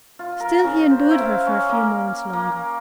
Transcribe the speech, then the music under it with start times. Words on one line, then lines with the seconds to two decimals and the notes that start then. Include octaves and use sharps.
Still he endured her for a few moments longer.
0.19 F4
0.40 A#4
0.64 C#3
0.90 C5
1.11 E4
1.26 F5
1.46 C#4
1.69 A#3
2.33 A#3